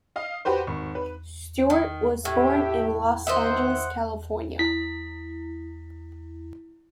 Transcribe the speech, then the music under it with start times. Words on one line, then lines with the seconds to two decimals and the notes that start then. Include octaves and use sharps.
Stewart was born in Los Angeles, California.
0.16 D#5 F5
0.45 F#4 G4 B4 C5
0.67 G#1 C#6
0.95 B4
1.70 D#3
2.25 A2 G4 E5
3.27 A#2 D#3 C5 D#5 E5 F#5
4.59 E4 B6